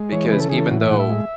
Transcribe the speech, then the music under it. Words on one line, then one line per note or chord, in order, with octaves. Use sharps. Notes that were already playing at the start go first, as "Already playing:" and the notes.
because even though
Already playing: G#3
E3 C#5
C#3 B4
A4
E3 G#4
A4
A2 F#4
E5
A2 F#5
E5
G#3